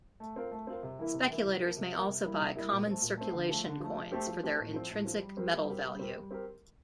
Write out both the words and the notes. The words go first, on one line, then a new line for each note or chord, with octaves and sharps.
Speculators may also buy common circulation coins for their intrinsic metal value.
A3
C4 F4 A#4
A3
C4 F4 A#4
C3
E3 A#3 E4
C3
E3 A#3 E4
C3
F3 A#3
C3
F3 A#3
C3
G3 A#3 E4
C3
G3 A#3 E4
A#2
A3 C4
A#2
A3 C4
D3
F3 A3
D3
F3 A3
F3
A3 C4 G4
F3
A3 C4 G4
A2
F3 C4
A2
F3 C4
G3
C4 G4 A#4
G3
C4 G4 A#4
G3
C4 G4 A#4
G3
C4 G4 A#4